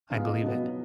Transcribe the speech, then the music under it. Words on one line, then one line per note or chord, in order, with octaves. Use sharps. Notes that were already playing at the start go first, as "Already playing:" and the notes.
I believe it.
F3 G#3 B3 D#4 F5
D#5
B2 F#3 B3